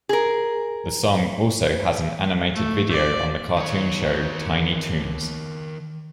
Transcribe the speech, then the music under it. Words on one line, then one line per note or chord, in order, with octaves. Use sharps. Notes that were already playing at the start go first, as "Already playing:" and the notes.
The song also has an animated video on the cartoon show Tiny Toons.
G#4 A#4
A3
D5
D#3 C#5